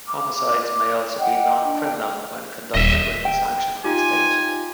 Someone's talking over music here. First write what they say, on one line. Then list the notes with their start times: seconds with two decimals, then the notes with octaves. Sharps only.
Homicides may also be non-criminal when conducted with the sanction of the state.
0.08 D6
1.19 D#5 F#5 G5
1.64 D4 G5
2.75 D#1 D#5 E5
3.25 G5
3.84 D#4 F4 G4 G#5